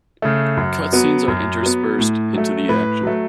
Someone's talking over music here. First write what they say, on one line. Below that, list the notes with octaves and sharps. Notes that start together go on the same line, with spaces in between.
Cut scenes are interspersed into the action.
C#3 A3
F#2
F#3 B3
F#2
F#3 B3
A2
F#3 A3
A2 B4
F#3 A3